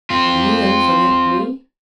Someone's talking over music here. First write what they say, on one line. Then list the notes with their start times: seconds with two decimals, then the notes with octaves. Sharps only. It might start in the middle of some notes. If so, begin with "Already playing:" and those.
"Will you then forget me?"
0.10 C4 F4